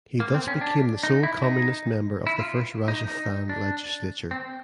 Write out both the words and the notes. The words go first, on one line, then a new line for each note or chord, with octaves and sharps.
He thus became the sole communist member of the first Rajasthan legislature.
A#3
C4
C#4
D4
D#4
E4
D#4
E4
F4
D#4
D#4
D4
C4